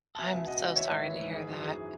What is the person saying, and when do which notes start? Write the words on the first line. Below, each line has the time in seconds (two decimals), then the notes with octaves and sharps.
I'm so sorry to hear that.
0.15 A5
0.18 B2 E5 G#5
0.33 C#2
0.47 B2 D#5 F#5
0.61 C#2
0.76 E3 C#5 E5
0.90 G#2
1.06 E3
1.20 G#2
1.33 E3 G#4
1.49 F#2
1.63 E3 G#4